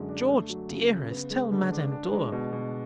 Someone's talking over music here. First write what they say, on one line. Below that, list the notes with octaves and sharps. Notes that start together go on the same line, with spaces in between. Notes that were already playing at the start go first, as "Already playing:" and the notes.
George, dearest, tell Madame Dor.
Already playing: F#2 D3 G#3
D4
A3
F#3
C#3
C#3
B3
G#3
D3
D4
D4
G#3
B2
B2